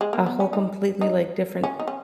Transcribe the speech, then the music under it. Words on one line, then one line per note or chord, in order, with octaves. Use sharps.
a whole completely, like, different
G#3
A#3
B3
C#4
D#4
D#4
C#4
D#4
C#4